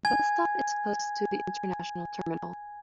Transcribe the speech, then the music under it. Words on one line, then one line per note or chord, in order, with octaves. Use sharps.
The bus stop is close to the international terminal.
G#5 G#6